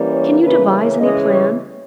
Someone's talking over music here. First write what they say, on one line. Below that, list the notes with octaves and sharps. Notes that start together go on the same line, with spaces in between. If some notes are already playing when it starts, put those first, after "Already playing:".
Can you devise any plan?
Already playing: E3 G3 A#3 C#4
C#5
C#3 E3 A#3 C#4 B4
C#5
C#3 E3 G#3 C#4 D#5
C#5